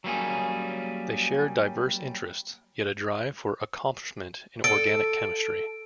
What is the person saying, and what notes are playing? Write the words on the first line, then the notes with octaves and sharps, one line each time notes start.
They shared diverse interests, yet a drive for accomplishment in organic chemistry.
F#3 G3 A#3 C#4 G#4
A4 D7